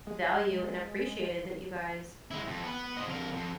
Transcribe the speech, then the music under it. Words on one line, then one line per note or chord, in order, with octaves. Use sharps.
value and appreciated that you guys,
G#3
G#3 E4
F2
B3
C5 D#5
F2 A#4
F2